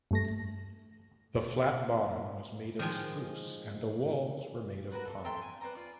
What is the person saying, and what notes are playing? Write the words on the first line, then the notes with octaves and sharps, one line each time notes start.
The flat bottom was made of spruce and the walls were made of pine.
G2 A3 A#6
D#3 F3 G#3
F#4 A#4 B4 F#5
A4
A4 G5 A#5 C6
G#5
B4 C5 D5 A#5
F4 D5